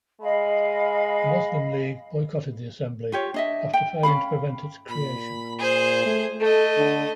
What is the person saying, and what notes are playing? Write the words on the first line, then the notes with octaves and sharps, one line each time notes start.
The Muslim League boycotted the Assembly after failing to prevent its creation.
G#3 D#5 F5 B5
F4 G4 C#5
D4 D#5 E5
G5
C#4 G#4 F5 B5
A#2 B5
G#4 C5
A3
A3 A4 D#5
D3